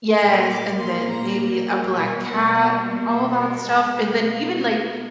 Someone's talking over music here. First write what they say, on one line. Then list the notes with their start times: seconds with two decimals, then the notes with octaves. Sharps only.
Yes. And then maybe a black cat, all that stuff. And then even, like,
0.22 A#2 F#3 A#3 C6
0.51 D6
0.79 C6
1.08 A#5
1.94 B2 G3 A#3 G#5
2.23 F#5
2.52 F#5
3.09 E5
3.38 A#4
3.67 B2 G#3 B3 A4
3.95 G4
4.24 F4
4.53 F#4